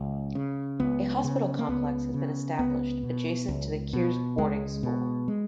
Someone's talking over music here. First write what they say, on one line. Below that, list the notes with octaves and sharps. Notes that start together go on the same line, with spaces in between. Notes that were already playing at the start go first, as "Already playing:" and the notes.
A hospital complex has been established adjacent to the Kyrgyz boarding school.
Already playing: C#2
C#3
C#2 B3
C#3
A#3
C#2 B3
C#3
C#2 B3
B2
C#2
B2
C#2 G#3
B2
G#3